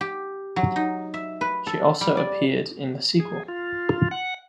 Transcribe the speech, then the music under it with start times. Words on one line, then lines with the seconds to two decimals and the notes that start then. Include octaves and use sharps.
She also appeared in the sequel.
0.01 G4
0.56 F#3
0.76 D#4
1.14 E5
1.41 B4
1.67 A4
2.01 G3
2.17 D5
3.20 G#4
3.48 F4
4.11 F#5